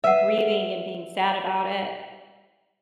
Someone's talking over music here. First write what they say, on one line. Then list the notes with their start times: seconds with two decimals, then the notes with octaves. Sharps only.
grieving and being sad about it,
0.04 B4 E5 F#5 D#7